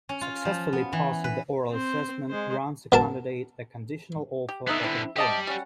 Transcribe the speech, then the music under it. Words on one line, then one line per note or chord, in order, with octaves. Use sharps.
Successfully passing the oral assessment grants a candidate a conditional offer of employment.
C#4
F4
F3
B3
E3
B4
C4 C5
G#3 C5
B2 A#4 A5
G4
D3 A3 B3 D#4 E5
C4 E4
C3 G4 D5 D#5 A5
G3 C#4 F#5